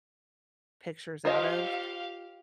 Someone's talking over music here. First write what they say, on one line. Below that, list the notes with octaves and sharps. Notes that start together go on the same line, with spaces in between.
pictures out of.
F4 G4 C5 D#5 F5